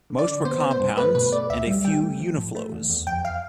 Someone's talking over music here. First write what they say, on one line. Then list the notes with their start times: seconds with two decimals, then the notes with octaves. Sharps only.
Most were compounds, and a few uniflows.
0.10 D3
0.19 D5
0.27 D3
0.45 B3 C5
0.63 B3
0.71 C5
0.80 G2
0.97 A3 B4
1.14 B2 B4
1.32 A3 D5
1.50 D2 E5
1.67 G3
1.85 G3 G5
2.03 A3
2.20 F3
2.37 A2
2.55 A3
2.72 E2
2.90 E2
3.07 F2 G5
3.25 F5